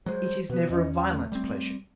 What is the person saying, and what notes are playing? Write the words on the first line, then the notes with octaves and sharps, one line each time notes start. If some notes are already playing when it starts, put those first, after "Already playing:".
It is never a violent pleasure.
F#3 G#3 C5
B2 B3 B4
E2 B3 C#4 D#5
G5
A3
G3 C4